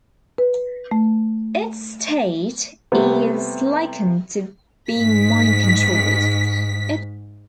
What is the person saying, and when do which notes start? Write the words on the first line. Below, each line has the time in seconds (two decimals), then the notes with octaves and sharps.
Its state is likened to being mind controlled.
0.38 B4
0.91 A3
2.92 C3 G3 A3 B3
4.91 G#2 B6